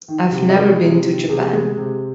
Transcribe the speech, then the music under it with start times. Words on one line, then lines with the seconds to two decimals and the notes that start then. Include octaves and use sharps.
I've never been to Japan.
0.08 D#3
0.32 C3
0.49 D#5
0.56 G#3 C#5
0.80 C3
1.05 D#3
1.29 C3 G#4
1.53 G#3
1.77 C3